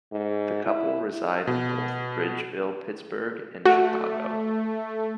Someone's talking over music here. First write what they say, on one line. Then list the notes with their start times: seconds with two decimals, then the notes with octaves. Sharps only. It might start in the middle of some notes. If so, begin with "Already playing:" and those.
The couple reside in both Bridgeville, Pittsburgh and Chicago.
0.12 G#2
0.65 E4
1.47 B2
3.66 A3 F#4